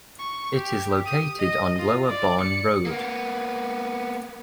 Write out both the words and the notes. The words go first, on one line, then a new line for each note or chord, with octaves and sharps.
It is located on Lower Barn Road.
C#6
G4
D#6
D#5
F4
D5
C#7
A#3 B3